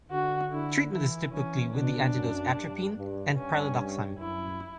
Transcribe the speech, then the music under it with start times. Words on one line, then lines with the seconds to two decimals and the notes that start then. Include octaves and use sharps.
Treatment is typically with the antidotes, atropine and pralidoxime.
0.10 D3 F#4
0.51 D3 E4
0.91 E3 E4
1.32 E3 C#4
1.73 B2 D4
2.14 F#2
2.55 G2
2.96 G2
3.37 G2 C#4
4.18 F#2 E4